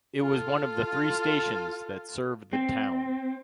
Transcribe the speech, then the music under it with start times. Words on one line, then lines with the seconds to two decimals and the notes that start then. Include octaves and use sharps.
It was one of three stations that served the town.
0.21 F4 A4
2.53 C4